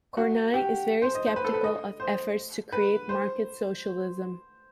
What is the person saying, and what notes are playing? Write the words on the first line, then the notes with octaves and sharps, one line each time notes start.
Kornai is very skeptical of efforts to create market socialism.
F#4
G4
C5
D#5
C5
B4
A4
B4
D#5
C5
B4
C5